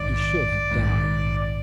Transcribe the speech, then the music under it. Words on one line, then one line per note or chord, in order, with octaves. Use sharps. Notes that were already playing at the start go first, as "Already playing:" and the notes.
He should have died.
Already playing: A#1 G#2 D#3 D5
A#1 G#2 D#3